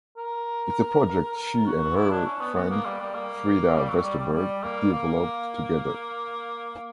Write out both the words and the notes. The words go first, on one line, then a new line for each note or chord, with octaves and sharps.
It's a project she and her friend Frida Vesterberg developed together.
A#4
A#4
F#4
E4
D4
C#4
B3
B3
A#3
G3
G3
A#3
G3
F#3
G3
G3
G3
A#3
A#3